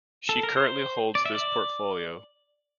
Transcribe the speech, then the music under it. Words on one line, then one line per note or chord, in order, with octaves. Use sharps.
She currently holds this portfolio.
A4
A#4
C5
D5
E5
D5